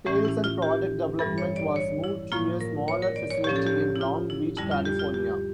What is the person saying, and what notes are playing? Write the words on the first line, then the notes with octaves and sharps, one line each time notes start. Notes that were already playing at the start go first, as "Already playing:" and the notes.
Sales and product development was moved to a smaller facility in Long Beach, California.
A2 E3 A3 C#4 G4
E4
F4
G4
G2 E3 G3 A4
C#5
D5
C#5
E4
A2 F3 A#3 F4
A#4
C#5
A#4
D5
C#5
A2 F3 C#4 G4
A4
G4
E4
F4
E4
F2 D3 G3 E4
F4
G4
F4
G4